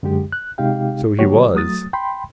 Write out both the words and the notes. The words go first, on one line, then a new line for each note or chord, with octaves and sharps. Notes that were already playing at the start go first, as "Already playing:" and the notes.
So he was.
F#2 D3 G#3 G4
F#6
C3 G#3 D#4 G4 F5 G5
D3 F#3 A#3 F#4 G4 C#5
F#3 A3 D#6 A6
G5 B5 C6